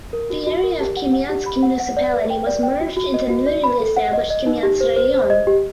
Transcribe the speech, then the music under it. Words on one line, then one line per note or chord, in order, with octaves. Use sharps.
The area of Kamianske Municipality was merged into the newly established Kamianske Raion.
A#4
F#4
F#4
A#4
G4
F#5
F#5
G4
B5
F#5
F#5
D5
B4
G5
D5
G5
F#4
F#4
D#5
F#4
D5
B5
A4
F#5
D#5
D#5
D#4
G4
C5
C5
C5
D#5
G4